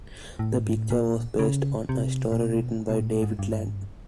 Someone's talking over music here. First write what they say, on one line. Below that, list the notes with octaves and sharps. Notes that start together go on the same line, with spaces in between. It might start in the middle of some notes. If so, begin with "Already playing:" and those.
The picture was based on a story written by David Lang.
A2
G#2
A2
A#2
C#3
C3
A#2
B2
B2
A2
A#2
G#2
G2
G#2
G2
G#2
G2